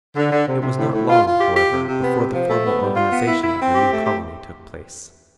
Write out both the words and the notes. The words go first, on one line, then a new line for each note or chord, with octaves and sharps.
It was not long, however, before the formal organization of the new colony took place.
D3
D3
C3
C3
A2
A2
F4
F4
G4
G4
C3
C3
B3
C3
F3
A3
B3
G3
F4
B3
E4
E4
C4
G4
A3
G4